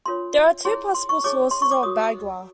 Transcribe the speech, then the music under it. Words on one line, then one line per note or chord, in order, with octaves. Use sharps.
There are two possible sources of "bagua".
D4 F4 A#4 C#5 C6
E4 G#4 C#5 C6
C6
C#6
D#4 G#4 C#5 D6
C6
C#6
D6
F#4 A#4 C#5 D#6